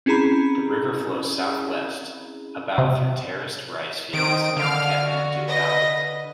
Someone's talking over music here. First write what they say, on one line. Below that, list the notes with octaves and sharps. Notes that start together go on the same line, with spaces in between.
The river flows southwest about through terraced rice fields in the Kathmandu Valley.
C4 C#4 E4 G#4 A#5 B5
C3
D#3 C4 D#6 D7
D3 F5 F6
F#4
B4 D#5 A#6